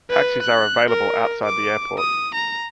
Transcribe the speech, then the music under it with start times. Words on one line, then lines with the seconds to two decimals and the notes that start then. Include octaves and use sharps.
Taxis are available outside the airport.
0.10 B4
0.43 F#6
0.89 A#4
1.45 D6
1.98 D#6
2.35 A#5